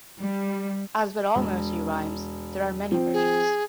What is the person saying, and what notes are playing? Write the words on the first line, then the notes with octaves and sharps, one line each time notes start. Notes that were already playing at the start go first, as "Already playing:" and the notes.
As with all nursery rhymes, there are many versions.
G3
E1
F3 C4
G#4